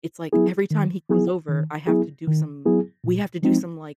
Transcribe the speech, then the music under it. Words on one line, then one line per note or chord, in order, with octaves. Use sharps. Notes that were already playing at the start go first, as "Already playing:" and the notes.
it's, like, every time he comes over, I have to do some we have to do some, like,
F#3 B3 E4 G#4
D#3
F#3 B3 E4 G#4
D#3
F#3 B3 E4 G#4
D#3
F#3 B3 E4 G#4
A#2
F3 G#3 C4 D#4